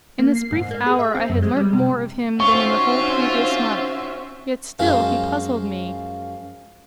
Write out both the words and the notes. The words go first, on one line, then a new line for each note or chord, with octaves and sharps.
In this brief hour I had learnt more of him than in the whole previous month: yet still he puzzled me.
A#3
C7
G#2
A#3
G#4
E5
C4
F#2
G#3
G3
C3
D#3 C4 C#4 F4 F#4 C5 E5 C#6
F#2 F3 G#3 F4